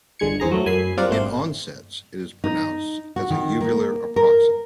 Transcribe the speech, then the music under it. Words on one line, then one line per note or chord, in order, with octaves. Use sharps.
In onsets, it is pronounced as a uvular approximant.
G1 D3 G#3 G#6 C#7
E2 C4 G#4 A#5
F#3 A3
F#2 G#5 B5 C7
G3 C4 F4 A#4 D5 F#5
G#1 A3 C5 G5
D#4
F#4
D#3
A#3
A#4